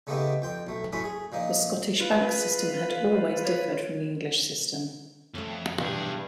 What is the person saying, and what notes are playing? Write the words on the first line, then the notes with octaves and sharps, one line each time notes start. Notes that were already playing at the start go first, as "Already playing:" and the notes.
The Scottish bank system had always differed from the English system.
C#3 A3 B3 C4 D#4 G4
F2 G5 C6
B1 A3
F#2 A2 A3 C#4 B5 C6
G#4
A#2 F3 A#3 D#4
E4 F4 B4
A#4
G#4
F5
C5
C#5
F2 A3 C#4
B1 G2 E3 G#4